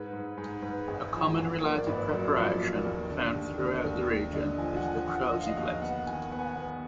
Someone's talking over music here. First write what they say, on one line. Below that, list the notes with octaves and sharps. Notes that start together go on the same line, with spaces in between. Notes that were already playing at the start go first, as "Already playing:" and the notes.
A common, related preparation found throughout the region is the Croziflette.
Already playing: G#2 B4
G#2
G#2 G#4
G#2 B4
G#1 G#4
F3 G#4
G#1 G#4
A#3 A#4
D5
G#1 B4
F#2 A#4
F3 D5
A#3 D5
D#2
D3
D#2
D3
D#2
D#2
D3 D#5
F3 G#5
F#5
F3 G#5
F3 F#5
F3 D#5
F5
D#5
D#2 F5
B3 F#5
D#3 G#5
B3 F#5
G#5
F#5
B3